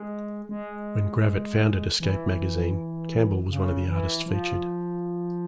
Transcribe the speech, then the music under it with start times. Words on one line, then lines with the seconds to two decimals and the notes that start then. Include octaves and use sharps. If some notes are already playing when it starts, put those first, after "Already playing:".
When Gravett founded "Escape Magazine", Campbell was one of the artists featured.
Already playing: G#3
0.49 G#3
2.00 E3
3.50 C#3
3.88 E3
4.26 F3